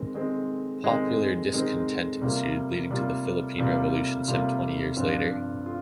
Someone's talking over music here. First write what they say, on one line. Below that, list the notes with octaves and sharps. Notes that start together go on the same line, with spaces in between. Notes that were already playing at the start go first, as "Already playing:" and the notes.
Popular discontent ensued, leading to the Philippine Revolution some twenty years later.
Already playing: D#3 G#3 C4
D#3 G#3 C4
D#3 G#3 C4
D#3 G#3 C4
C3 G3 A#3 F4
C3 G3 A#3 F4
C3 G3 A#3 F4
C3 G3 A#3 F4
G2 F3 C4 F4
F4